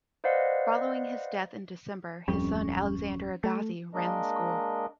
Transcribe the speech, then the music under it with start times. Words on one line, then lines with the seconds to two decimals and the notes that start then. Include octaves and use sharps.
Following his death in December, his son Alexander Agassiz ran the school.
0.24 B4 C5 D5 D#5 F5 F#5
2.28 D1 F2 G3 C#4
3.44 A3
3.94 G#3 A#3 D4 A#4 D#5